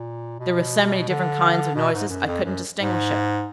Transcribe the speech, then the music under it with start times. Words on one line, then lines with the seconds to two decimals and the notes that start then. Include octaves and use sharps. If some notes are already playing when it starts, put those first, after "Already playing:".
"There were so many different kinds of noises I couldn't distinguish it."
Already playing: A#2
0.39 B2
1.09 D3
1.75 B2
1.93 G#2
2.09 F#2
2.27 F2
2.44 F#2
2.78 G#2